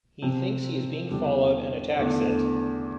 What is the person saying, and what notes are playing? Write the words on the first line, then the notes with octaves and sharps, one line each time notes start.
He thinks he is being followed and attacks it.
C3 F3 C4
E2 D3 G3 D4
E2 D3 A3 D4